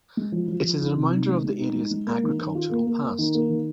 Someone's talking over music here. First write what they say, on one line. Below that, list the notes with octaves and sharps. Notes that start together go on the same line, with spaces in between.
It is a reminder of the area's agricultural past.
G#3
F3
F3
F3
D#4
C3
D#4
G#3
G#3
D#4
G#3
G#3
A#3
D#3
D#3
F4
A#3
A#3
A#3
D#3
A#3
D#3